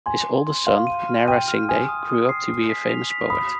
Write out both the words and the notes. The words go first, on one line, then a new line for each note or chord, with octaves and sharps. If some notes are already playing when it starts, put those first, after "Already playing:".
His oldest son, Nara Singde, grew up to be a famous poet.
G#5 C6
C6
C6
F5 C6
D#7
F6
G5 D#7
F6
G#5 D#6
D#6
D#6
C7
D#6
B6
F7
B6
B5 D#6